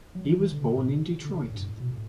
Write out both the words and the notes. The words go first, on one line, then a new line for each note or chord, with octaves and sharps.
He was born in Detroit.
F#3
E3
E3
D3
C#3
A2
B2
C#3
D3
C#3
A2
G2
A2
B2
A2